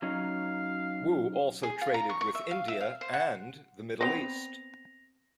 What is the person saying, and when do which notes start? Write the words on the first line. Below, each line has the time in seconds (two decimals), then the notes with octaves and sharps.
Wu also traded with India and the Middle East.
0.02 F#3 C#4 D#4 F5
1.63 G#4
1.81 F4
1.94 A#5
2.09 C#6
2.21 C#6
2.35 E5
2.51 F5
2.68 E5
2.81 F5
3.01 C5
3.13 F#5
4.01 B3 C4 B4 A#6 F7